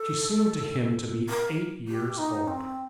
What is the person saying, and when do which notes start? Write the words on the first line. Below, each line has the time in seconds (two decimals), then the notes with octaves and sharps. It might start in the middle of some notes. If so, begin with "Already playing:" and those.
She seemed to him to be eight years old.
Already playing: A4
1.29 A#4
1.88 G4
2.18 D#4
2.47 C4